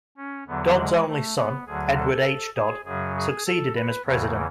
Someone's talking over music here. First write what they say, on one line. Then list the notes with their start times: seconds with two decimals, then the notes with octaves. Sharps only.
Dodd's only son, Edward H. Dodd, succeeded him as president.
0.17 C#4
0.47 E2 D3 F#3 B3
0.77 G#3
1.07 A3
1.37 B3
1.66 D2 D3 F#3 G#4
1.96 A4
2.55 G#4
2.85 F#2 C#3 F#3 G#4
3.16 G#4
3.46 A4
3.75 B4
4.05 E2 C#3 E3